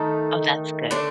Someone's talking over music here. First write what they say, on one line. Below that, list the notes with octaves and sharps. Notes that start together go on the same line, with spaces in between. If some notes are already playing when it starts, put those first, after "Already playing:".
Oh, that's good.
Already playing: D#3 A3 D#4 A4
D3 A3 D4